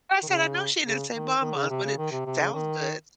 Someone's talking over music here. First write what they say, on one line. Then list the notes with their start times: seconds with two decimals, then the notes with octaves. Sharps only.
I said, "I know she didn't say bonbons." But it sounds good.
0.23 D#3
0.28 C#3
0.85 C#3
1.13 D#3
1.41 D#3
1.55 C#3
1.70 C3
1.84 C#3
1.98 D#3
2.11 C3
2.26 C3
2.40 C#3
2.54 D#3